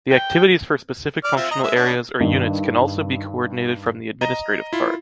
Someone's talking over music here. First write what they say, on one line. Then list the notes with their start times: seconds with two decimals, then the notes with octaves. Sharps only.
The activities for specific functional areas or units can also be coordinated from the administrative part.
0.11 G5
1.24 D5 F6
1.37 C4 F4 E5
1.51 D#5 A#5
1.63 G#3 E5
1.75 B3 C#4 D4
2.20 G2 D#3
4.21 D#5 A#5
4.73 E4 F4